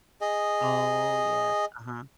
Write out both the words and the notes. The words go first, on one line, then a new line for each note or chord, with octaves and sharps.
Oh, yes, uh-huh.
G#4 D#5